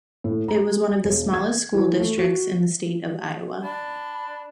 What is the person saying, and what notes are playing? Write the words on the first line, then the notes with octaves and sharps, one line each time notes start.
It was one of the smallest school districts in the state of Iowa.
A2
A#5
E1
G#6
E3
A3
F#4
D4 B5